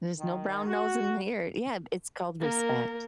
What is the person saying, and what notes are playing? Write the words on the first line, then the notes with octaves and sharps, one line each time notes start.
There's no brown nosing here Yeah, it's called respect.
D#3
F#4
A#3 A#4